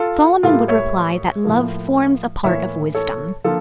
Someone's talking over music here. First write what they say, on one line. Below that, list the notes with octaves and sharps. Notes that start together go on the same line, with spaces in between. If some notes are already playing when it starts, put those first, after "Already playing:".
Solomon would reply that love forms a part of wisdom.
Already playing: F4 A4
A2 G3 A#3 F4 A4
C#5 E5
A2 F3 A#3
A2 E3 A#3 C#5 E5
A4 C#5
D3 F3 A#3 F4 A4